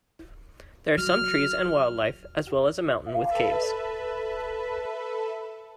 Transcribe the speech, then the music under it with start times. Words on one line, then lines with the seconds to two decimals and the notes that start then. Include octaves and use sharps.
There are some trees and wildlife as well as a mountain with caves.
0.98 F#3 F6
3.30 A4 B4 E5 A5 B5